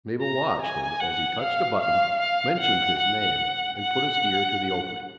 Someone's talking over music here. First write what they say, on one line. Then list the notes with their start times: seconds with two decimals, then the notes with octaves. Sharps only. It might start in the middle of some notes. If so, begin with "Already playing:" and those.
Mabel watched him as he touched a button--mentioned his name, and put his ear to the opening.
0.22 A#5
0.62 G#5
1.00 F#5
1.40 F5
1.80 F5
2.20 F5
2.60 F#5
2.99 F#5
3.78 F#5